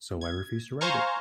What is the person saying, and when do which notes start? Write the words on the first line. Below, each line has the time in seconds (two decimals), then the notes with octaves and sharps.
So I refused to write it.
0.21 G#6
0.81 C5 F5 G#5 A#5 C#6